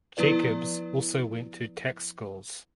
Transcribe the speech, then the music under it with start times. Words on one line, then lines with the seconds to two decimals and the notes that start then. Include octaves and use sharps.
Jacobs also went to tax schools.
0.17 F3 B3 E4 B4 D5